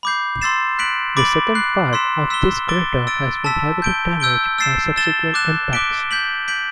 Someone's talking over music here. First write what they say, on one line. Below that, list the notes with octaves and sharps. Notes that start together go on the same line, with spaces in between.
The southern part of this crater has been heavily damaged by subsequent impacts.
B5 D6 G6 C7
C6 E6 A6 C7 E7
F#6 B6 D7 F#7
B5 D6 A6 D7 F#7
F#6 C7 F#7
C6 E6 B6 E7
E6 B6 E7 G7
D6 A6 D7 G7
E6 A6 D7
A5 E6 B6
G6 D7 G7
E6 G6 D7 G7
E6 A6 C7 E7
E6 A6 E7 G7
D6 F#6 A6 E7
D6 F#6 B6 D7 G7
G6 B6 F#7
G6 B6 D7 F#7